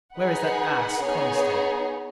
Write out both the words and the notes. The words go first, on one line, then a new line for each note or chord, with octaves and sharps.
Where is that ass, Coniston?
D#4 G#4 B4 F#5
B3 D#4 G#4 C#5